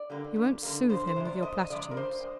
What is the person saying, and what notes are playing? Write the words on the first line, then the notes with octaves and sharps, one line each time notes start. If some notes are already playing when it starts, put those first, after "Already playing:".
"You won't soothe him with your platitudes."
Already playing: D5
D3 G3 A#3
F2
D3 G3 A#3
F2 C5
C5
C3 F3 G#3
D5
F2 D#5
C3 F3 G#3 D5
A#4
G2 C5
G#3